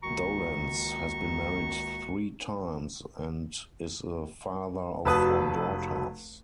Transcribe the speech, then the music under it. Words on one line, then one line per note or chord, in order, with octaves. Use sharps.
Dolenz has been married three times and is the father of four daughters.
C#2 D#3 A#3 F#4 A#5 C#6
F1 F#4 B4 A5 D#6 E6